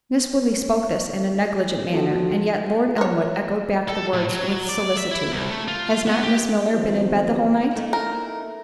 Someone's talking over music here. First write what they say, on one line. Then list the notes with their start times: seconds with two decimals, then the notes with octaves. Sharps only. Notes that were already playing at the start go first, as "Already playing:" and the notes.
Miss Woodley spoke this in a negligent manner, and yet, Lord Elmwood echoed back the words with solicitude, "Has not Miss Milner been in bed the whole night?"
1.92 F3 A3 F#4
2.98 A#4 C#5
3.88 A4
4.13 A2
4.30 F#3
4.69 D5
4.97 E5
5.11 E4
5.32 C2
5.50 A3
5.68 F4
6.07 B3
6.23 G4
6.73 D#3 F3 F#3 A3 B3 C4
7.71 A3 D#4 E4
7.93 A#4